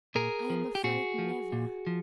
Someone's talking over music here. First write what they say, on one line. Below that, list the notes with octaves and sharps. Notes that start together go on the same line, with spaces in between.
I am afraid never....
A#2 G#4 A#4
F3
G4
A#2 F#4 G#4
F3
A#2
F3